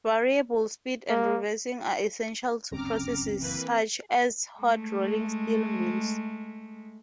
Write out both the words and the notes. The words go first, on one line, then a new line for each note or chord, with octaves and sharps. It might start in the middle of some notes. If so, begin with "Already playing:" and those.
Variable speed and reversing are essential to processes such as hot-rolling steel mills.
A#3
F#1 D2 G2 C4 C#4 A#5 D6 F6
E3 A#3 B4
G#3 A3